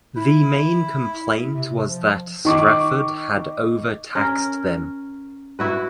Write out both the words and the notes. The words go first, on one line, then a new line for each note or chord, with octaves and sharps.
The main complaint was that Strafford had overtaxed them.
E4
C3
F3
D#3 D#5 C#6 D6
C#4 A#4
E4 F#4 B4